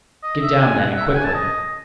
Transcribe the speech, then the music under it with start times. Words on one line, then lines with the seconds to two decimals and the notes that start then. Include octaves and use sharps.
"Get down then and quickly."
0.23 D#5
0.41 E5
0.60 G#5
0.78 F#5
0.97 E5
1.06 F#5
1.15 G#5
1.24 A5
1.34 D#5